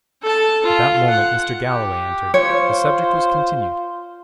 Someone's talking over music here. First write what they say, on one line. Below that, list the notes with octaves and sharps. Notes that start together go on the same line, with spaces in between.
At that moment Mr. Galloway entered: the subject was continued.
A4 A5
F4
F#5
G4
F4 C5 C#5